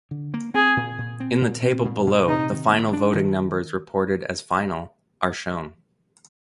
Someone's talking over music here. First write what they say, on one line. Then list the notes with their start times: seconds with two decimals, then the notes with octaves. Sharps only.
In the table below the final voting numbers reported as final are shown.
0.11 D3
0.34 A#3
0.54 C4 G#4
0.77 A#2
0.98 A#2
1.20 C4
1.41 A#2
1.63 C4
1.85 A#2
2.07 A#2
2.28 C3 D#4
2.50 D#3
2.72 A#3
2.93 D4
3.15 D#3